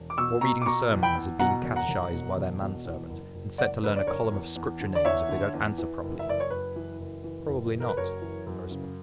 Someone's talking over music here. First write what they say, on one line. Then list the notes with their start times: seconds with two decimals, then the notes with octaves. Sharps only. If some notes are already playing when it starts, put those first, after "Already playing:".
Or reading sermons, and being catechised by their manservant, and set to learn a column of Scripture names, if they don't answer properly?' 'Probably not,' I responded.
Already playing: E1
0.10 D6
0.17 B2 C#6 E6
0.41 B2 A#5 C#6
0.62 D6
0.66 B2 A#5 C#6
0.91 E2
1.03 G5 B5
1.15 E2
1.39 B2 F#5 A#5
1.63 E1
1.76 F#5 A#5
1.89 E1
2.12 B2
2.37 E1
2.62 B2
2.85 E2
3.09 F#1
3.34 F#1
3.58 F#1 D5 F#5
3.83 D3 B4
3.96 D5
4.07 F#1 A#4 C#5
4.32 E2
4.56 E2
4.80 D3
4.95 D5
5.05 E2 C#5 E5
5.29 D3
5.54 E2
5.78 E3
6.03 F#1
6.19 E5
6.27 F#1 D5
6.40 C#5
6.50 F#1 B4
6.76 E3
7.00 F#1
7.24 E3
7.49 F#1
7.73 F#1
7.80 A#4
7.89 B4
7.97 F#2 A#4 C#5
8.21 E3
8.46 F#2
8.71 C#3